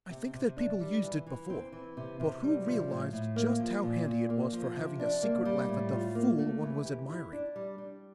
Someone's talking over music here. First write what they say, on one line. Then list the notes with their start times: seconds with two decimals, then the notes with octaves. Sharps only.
I think that people used it before, but who realized just how handy it was for having a secret laugh at the fool one was admiring?
0.10 C3
0.34 C3
0.57 D4
0.80 G3
1.03 E3
1.27 E3
1.50 C4
1.72 E3
1.97 C3
2.20 C3
2.44 G3
2.66 F3
2.90 A2
3.13 A2
3.36 A#3
3.59 F3
3.83 A#2
4.05 A#2
4.30 A#3
4.53 F3
4.76 C3
5.00 D4
5.23 A#3
5.45 G3
5.69 A2
5.93 F4
6.15 A#3
6.39 A3
6.63 E3
6.85 G4
7.10 E4
7.32 D4
7.56 G3
7.78 G3